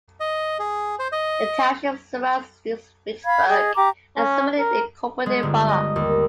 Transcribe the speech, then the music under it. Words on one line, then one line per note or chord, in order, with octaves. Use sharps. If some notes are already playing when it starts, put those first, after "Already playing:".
The township surrounds Smicksburg, a separately incorporated borough.
D#5
G#4
C5
D#5
F5 B5 G#6
G#4 D#5
G4 A#5 D6
C#4
A#4
G#3
G1
D#5
D#2